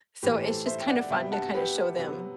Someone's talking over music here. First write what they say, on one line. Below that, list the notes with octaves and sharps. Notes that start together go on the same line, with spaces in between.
so, it's just kind of fun to kind of show them,
A2 E3 A3 G4 B4
A4 C5
C5 E5
G5
D5 F#5
C3 G3 B3 E5 G5
F#5 A5
G4 B4
C3 F#3 B3